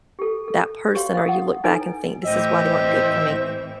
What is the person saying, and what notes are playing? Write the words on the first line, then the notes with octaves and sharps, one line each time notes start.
that person, or you look back and think, "This is why they weren't good for me."
G4 A4
A4
F#4 G4 C#5 F5 C6
D#5 F5 D#6
F#5
D#4 E4 A4 B4 C#5 G#5
A2 E3 C4 G4 C5 D#5 E5